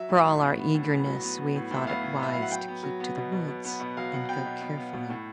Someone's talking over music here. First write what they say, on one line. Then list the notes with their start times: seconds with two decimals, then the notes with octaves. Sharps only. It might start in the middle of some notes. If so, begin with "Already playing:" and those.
For all our eagerness we thought it wise to keep to the woods and go carefully.
Already playing: F#3 E5
0.09 A2
0.26 A2
0.41 B3
0.58 B3
0.74 A2
0.91 B3
1.06 F#3
1.23 B3
1.38 B3
1.55 A2
1.71 A2
1.77 E5
1.87 B3 F5
2.03 A2
2.19 B3 E5
2.33 F#3 F5
2.42 F#5
2.51 F#3 G5
2.68 B3
2.83 F#3
3.00 B3
3.17 B2
3.32 B2
3.48 B2
3.65 B3
3.80 B2 F#5
3.97 F#3 F5
4.13 B2 F#5
4.29 B3 G5
4.45 B2
4.61 B2
4.77 B3
4.93 B2
5.10 A2